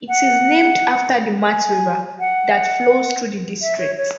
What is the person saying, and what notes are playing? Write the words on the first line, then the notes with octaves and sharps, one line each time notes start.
It is named after the Mat River, that flows through the district.
F#5
G#5
F#5
E5
C#5
C#5